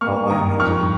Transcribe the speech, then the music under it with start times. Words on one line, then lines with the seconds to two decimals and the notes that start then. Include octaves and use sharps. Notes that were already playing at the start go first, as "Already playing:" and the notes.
Oh, I imagine.
0.01 A#3 C#6 F6
0.30 D#3 A#5 D#6
0.60 F2 C#6 F6